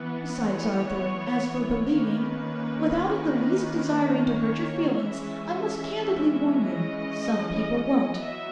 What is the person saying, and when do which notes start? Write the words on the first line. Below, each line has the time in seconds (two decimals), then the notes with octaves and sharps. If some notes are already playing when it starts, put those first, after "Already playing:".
Besides, Arthur, as for believing--without in the least desiring to hurt your feelings--I must candidly warn you, some people won't.'
Already playing: E3 B3 B4
0.36 C#5
1.91 D#3 A#3 C#4 B4
4.27 C#5
5.05 E3 G#3 C#4 E5
6.61 D#5
8.18 F#3 B3 E5